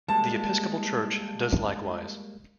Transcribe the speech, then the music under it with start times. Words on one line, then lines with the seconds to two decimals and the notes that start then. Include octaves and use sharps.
The Episcopal Church does likewise.
0.08 G3 G#3 A#3 A5